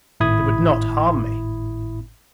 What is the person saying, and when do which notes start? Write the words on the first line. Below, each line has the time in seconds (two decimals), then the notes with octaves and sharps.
They would not harm me.
0.20 G#1 A2 E4 B5 D#6 G#6